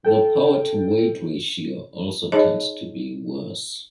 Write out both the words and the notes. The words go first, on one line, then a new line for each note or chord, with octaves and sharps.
The power to weight ratio also tends to be worse.
A4 G5
D#4 G#4 C#5 D#5 A5